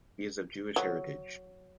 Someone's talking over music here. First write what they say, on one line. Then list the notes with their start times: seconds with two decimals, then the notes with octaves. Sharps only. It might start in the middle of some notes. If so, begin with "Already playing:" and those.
He is of Jewish heritage.
0.76 F#3